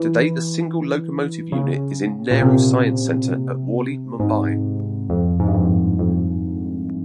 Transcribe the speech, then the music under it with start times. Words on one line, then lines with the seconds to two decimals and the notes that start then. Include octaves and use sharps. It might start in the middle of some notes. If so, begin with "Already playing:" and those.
Today the single locomotive unit is in Nehru Science center at Worli Mumbai.
Already playing: E3
1.52 C#3
2.31 A#2
2.42 C3
4.20 G#2
5.10 F2
5.40 G#2
5.47 G2
5.54 F2
5.99 F2